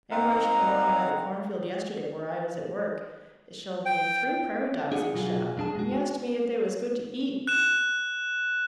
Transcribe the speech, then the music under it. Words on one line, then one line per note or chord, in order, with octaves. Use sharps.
Ambrosch come along by the cornfield yesterday where I was at work and showed me three prairie dogs he'd shot. He asked me if they was good to eat.
C4 D#4 A#4 F5 F#5
G5
D4 G#4 F5 F#5
B2 F#3 F4 G#4
B1 F2 D4 G#4 A5
G#3 F#4
F#6 E7